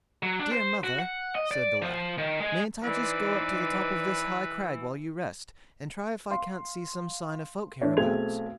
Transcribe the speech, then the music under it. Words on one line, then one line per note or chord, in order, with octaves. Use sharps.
'Dear mother', said the lad, 'mayn't I just go up to the top of this high crag while you rest, and try if I can't see some sign of folk hereabouts?'
F#3
D4
C5
F#4
F#5
D#5
D5
F3
D#3
G#3
E3 D#4 B4 C5 D5
F5 C6
E3 D4 C#5
B1 A3 C4 G#4 G#6 F7